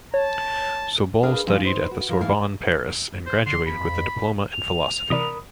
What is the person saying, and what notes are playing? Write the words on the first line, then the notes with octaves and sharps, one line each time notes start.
Sobol studied at the Sorbonne, Paris, and graduated with a diploma in philosophy.
C#5 A5
D4 G#4 A#4 B4 D5 F5
F3 C#4 D#4 A4
D#4 B4 C5
F#4
F3 A#4
G#2 E3 A3 E4 F5
C5
D3 C6
F2 B5
F7
C3 E3 A#4 D5 B5 D#6